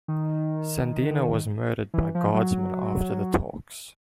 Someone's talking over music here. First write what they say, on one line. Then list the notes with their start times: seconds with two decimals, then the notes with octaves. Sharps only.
Sandino was murdered by Guardsmen after the talks.
0.08 D#3
1.94 E3
2.15 F3
2.34 F#3